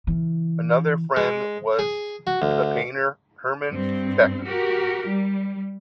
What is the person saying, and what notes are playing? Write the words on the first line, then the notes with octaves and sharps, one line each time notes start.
Another friend was the painter Hermann Becker.
C#3 E3
G#3
G#4
F#4
D2
G2 C4
F#4 G4 A#4
G3